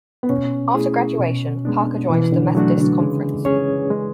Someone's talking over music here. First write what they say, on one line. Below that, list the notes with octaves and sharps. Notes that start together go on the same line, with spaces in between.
After graduation, Parker joined the Methodist Conference.
B3
B2 C#4
A3 E4 G#4
B2
G#3 B3 D4
B2 E3
D3
F#3 A3 D4 F#4
D3
C#3 G#3
C#4 G#4 C#5
G#3